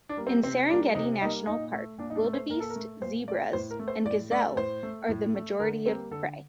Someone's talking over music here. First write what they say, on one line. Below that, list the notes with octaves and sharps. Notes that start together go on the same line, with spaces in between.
In Serengeti National Park, wildebeest, zebras and gazelle are the majority of prey.
D4
G3 A#3
C4
C3 C4
G3 A#3 D4
C3 D#4
G3 A#3 D#4
A#2 D#4
A3
A#2 D4
D#4
D4
A3
C5
A#2 A#4
A4
A#4
A3
A#2 C5
A3 D5
A2 C5
A#4
A3
C5
A2 D5
A3 D5
A2 C5
A3
A2
A3
D3 A#4
G3 A#3 C4
D3 A4